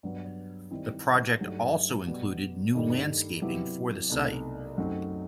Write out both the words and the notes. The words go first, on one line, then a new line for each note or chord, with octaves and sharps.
The project also included new landscaping for the site.
G2 F#3 B3
D#3 G3 C4 E4
G2 F#3 A3 D#4 G4
B2 G3 B3 F#4
G2 D#3 A3 D#4 G4
C3 F#3 B3 E4 G4
C2 B2 A3 D#4
F#2 F#3 A3 C4 D#4